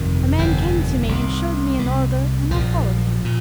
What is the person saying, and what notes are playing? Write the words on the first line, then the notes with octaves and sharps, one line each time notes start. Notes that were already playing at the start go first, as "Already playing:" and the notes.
A man came to me and showed me an order and I followed him.
Already playing: G1 F2 C3 D#3
G1 F2 C3
C2 C3
C2 C3
A#1 A#2 F3
A#2